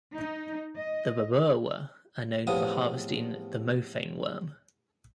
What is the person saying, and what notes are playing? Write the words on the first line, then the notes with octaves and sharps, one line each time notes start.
The babirwa are known for harvesting the mophane worm.
D#4
D#5
E2 A2 C3 F3 B3 D#6